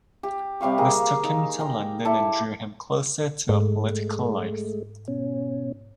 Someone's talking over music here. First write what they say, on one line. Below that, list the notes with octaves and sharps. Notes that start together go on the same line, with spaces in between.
This took him to London and drew him closer to a political life.
G4
C3 G3 F5 C#6
A#3 G#4
D#4
G5 A#5
E4 A4 D5 A5
G#2 G#3 A3
B2 C#4